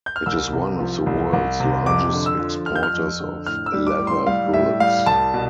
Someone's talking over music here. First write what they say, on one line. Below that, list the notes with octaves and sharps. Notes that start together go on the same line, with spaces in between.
It is one of the world's largest exporters of leather goods.
G6
F6
C2 E6
C3
F3
C2
C2
C3
F2 D6
D3
E6
F3
F2 F6
G6
F6
F2
D3
A2 F6
E6
G3
D6
A2
C6
G3 F5
A2 E5
G3 F5
C2 A5
B2